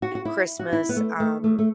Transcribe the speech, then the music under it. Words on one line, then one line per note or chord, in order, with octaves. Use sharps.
Christmas, um,
F#4
F#4
E4
F#4
E4
B3
A3
A3
A3
A3